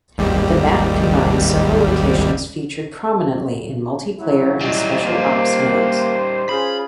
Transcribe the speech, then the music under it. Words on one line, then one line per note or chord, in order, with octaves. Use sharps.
The map combines several locations featured prominently in Multiplayer and Special Ops modes.
G#1 D#2 G3
F#3 E4
G3 D#4
A#3 C5
C#4 F4 G#4 B5